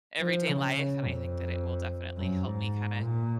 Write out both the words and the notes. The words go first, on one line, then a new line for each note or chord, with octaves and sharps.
everyday life, and I think that it will definitely help me kinda
F3
C#3
C#3
F2
F#2
G#2
A#2